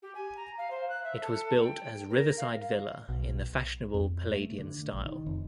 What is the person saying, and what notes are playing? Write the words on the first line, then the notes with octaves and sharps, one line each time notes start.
It was built as riverside villa in the fashionable Palladian style.
G4
G#5
A#5
F5
C5
F#6
E5
A4
G5
A#4
F5
B1
F2
A3
D3
A#1
D#3
F1